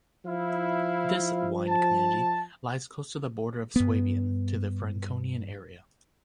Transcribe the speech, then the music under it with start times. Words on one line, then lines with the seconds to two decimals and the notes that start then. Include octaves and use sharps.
This "wine community" lies close to the border of Swabian to the Franconian area.
0.25 F3 E4 F5
1.66 A5
3.76 G2 B3